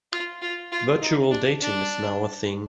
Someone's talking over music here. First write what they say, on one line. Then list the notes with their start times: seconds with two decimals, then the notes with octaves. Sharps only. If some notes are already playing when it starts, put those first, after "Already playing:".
Virtual dating is now a thing.
0.12 F4
0.42 F4
0.72 F4
1.01 D#4
1.31 D4
1.61 D4